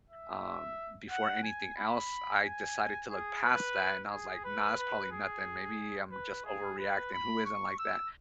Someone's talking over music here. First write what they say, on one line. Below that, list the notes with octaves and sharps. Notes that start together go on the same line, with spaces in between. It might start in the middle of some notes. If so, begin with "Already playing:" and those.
um, before anything else, I decided to look past that, and I was like, "Nah, it's probably nothing, maybe I'm just overreacting, who isn't like that?"
E5
F#5
G#5
B5
G#5
G#4
B4
G#4
B4
B4
G#4
B4
G#4
B4
B5
C#6
E6